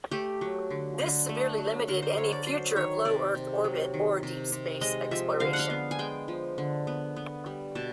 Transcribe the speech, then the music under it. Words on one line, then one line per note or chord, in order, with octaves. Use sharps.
This severely limited any future of low earth orbit or deep space exploration.
A3 G4
F#3
D3
D3
A3
F#3
D3 A#4
C5
D3 C#5
D5
F#3 C5
D#3 C#5
C3 D5
C3
F#3
D#3
C3
C3
G#3 D#5
F3 E5
D3 F5
F#5
F5
B3
G#5
G#3 G5
F3
D3
B3
B3
G3
B2 A5